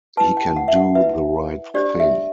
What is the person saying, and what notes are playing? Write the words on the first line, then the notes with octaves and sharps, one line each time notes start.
He can do the right thing.
E4 B4 A5
G5
F#5
E5
F#5
E4 B4 E5
D4 G4 C5 D5
E5